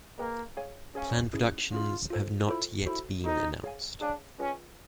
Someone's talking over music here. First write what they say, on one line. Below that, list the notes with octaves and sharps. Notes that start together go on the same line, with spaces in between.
Planned productions have not yet been announced.
A#3 G#4 B4 D#5 G5
G#4 C#5 F5 G#5
C#4 G#4 C#5 F5 G#5
C#4 E4 G#4
C#4 E4 F4 G#4
F4 A4 C5
E4 F4 A4 C5
E4 F#4 A4 C5
D#4 F#4 A4 C5
G#4 C#5 F5 G#5
D4 G#4 C#5 F5 G#5
C#4 F4 G#4 B4 D#5 G5